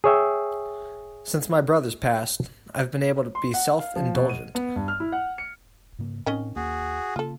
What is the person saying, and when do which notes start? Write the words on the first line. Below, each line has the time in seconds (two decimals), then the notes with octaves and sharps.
Since my brothers passed, I've been able to be self-indulgent.
0.04 G#4 C#5 E5 G5
3.35 C6
3.54 F#5
3.79 F5
3.96 F3
4.14 B2
4.30 D#7
4.55 B3
4.76 G2
4.88 F6
5.00 E4
5.12 F#5
5.38 C#7
5.99 G#2 C#3 A#3
6.26 A2 D#3 C4 C#4 D#5
6.56 D#2 A#3 F#4 G#4
7.16 C#3 A#3 F4 A4